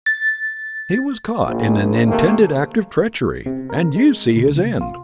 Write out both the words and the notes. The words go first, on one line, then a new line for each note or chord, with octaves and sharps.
He was caught in an intended act of treachery, and you see his end.
A6
A#1
C3 D#3 A3 A#3
C3
A#4
G#3
C#2
C3
F4